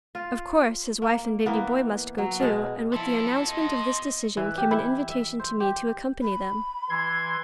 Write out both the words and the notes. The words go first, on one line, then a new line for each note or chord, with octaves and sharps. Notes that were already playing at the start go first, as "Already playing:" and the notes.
Of course his wife and baby boy must go too, and with the announcement of this decision came an invitation to me to accompany them.
F4
A#3
E3 A#3 B3
F#3
B2 G#3
F3 C4 E4 A4
D#5
E3
G4
E4
E5
C5
G4
B5
E3 C6 G#6